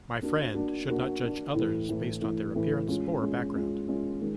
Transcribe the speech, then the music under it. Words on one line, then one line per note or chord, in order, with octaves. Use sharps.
My friend should not judge others based on their appearance or background.
A#3 D4 F#4
A#3 D4 F#4
A#3 D4 F#4
A#3 D4 F#4
A2 E3 A3
A2 E3 A3
A2 E3 A3
A2 E3 A3
G#3 C#4 F4
G#3 C#4 F4
G#3 C#4 F4
G#3 C#4 F4
D#3 G#3